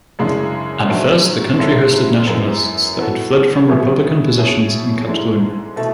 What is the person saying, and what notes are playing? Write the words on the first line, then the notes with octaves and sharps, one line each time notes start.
At first the country hosted nationalists that had fled from republican positions in Catalunya.
F#2 C#3 E3 G#3 D4
G#2 F#3 A3 D4
G#2 G#3 C#4 E4 A4
F#2 E3 B3
E3 B3 F#4 A4
A2 F#3 B3 E4 G#4
B2 A3 C#4 E4 G#4
G#2 E3 G#3 D4 A4
B2 A3 E4 A4